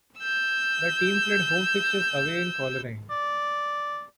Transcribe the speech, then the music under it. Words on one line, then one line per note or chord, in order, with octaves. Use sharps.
The team played home fixtures away in Coleraine.
E6 G6
D5